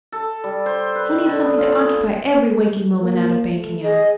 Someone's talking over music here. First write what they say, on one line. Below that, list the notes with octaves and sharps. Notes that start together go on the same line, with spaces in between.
He needs something to occupy every waking moment out of banking hours.
A4
G3
C5
B4
D#3
D3
B3
F4
G#4
A#3
A3
G#4 D#5